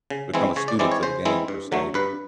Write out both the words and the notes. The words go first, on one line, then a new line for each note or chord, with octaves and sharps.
become a student to the game per se
C#3
E3 G#3 C4 E4
C#3 C#5
D5
E3 G#3 C4 E4 D5
C#5
C#3 C5
E3 G#3 C4 E4
G2
D3 F#3 A3
G2 B4